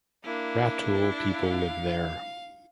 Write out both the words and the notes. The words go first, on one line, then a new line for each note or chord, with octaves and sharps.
Rutul people live there.
A#3 D4 E4
F5